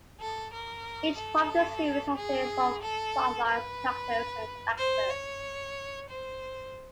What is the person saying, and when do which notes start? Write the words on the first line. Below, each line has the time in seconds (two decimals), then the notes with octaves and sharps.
Each part of the series had its own plotlines, characters, and actors.
0.20 A4
0.53 A#4
1.17 A4
2.16 G#4
2.82 A4
3.48 B4
4.78 C5
5.10 C#5
6.10 C5